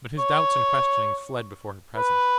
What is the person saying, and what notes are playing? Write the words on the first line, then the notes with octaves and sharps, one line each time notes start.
But his doubts and questionings fled before her presence.
C#5
B4